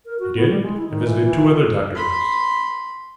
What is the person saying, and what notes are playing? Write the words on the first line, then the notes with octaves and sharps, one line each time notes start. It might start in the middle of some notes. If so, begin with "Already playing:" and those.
He did, and visited two other doctors.
A#4
F#4
B3
G3
G#3
E4
D#3
E3
E3
F4
B5 C6